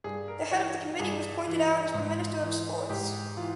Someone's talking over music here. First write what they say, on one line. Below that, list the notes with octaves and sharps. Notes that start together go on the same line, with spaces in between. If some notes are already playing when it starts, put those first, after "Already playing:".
The head of the committee was pointed out as the Minister of Sports.
G2 G#4
A#4
E3 C#5
G2 G#4
E3
G#2
E3
G#2 G4
E3 F4